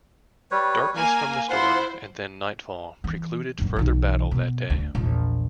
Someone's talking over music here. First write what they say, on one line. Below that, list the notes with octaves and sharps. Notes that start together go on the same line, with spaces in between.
Darkness from the storm and then nightfall precluded further battle that day.
G3 B4 C#5
A#3 A#4 G#5
E4 F4 C5 F#5 C6
E3
A#1 F#2
B1 E3
B2
D2
A#1 E2